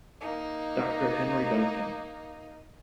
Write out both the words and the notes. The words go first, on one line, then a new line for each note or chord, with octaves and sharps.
Doctor Henry Duncan.
A#3 D#4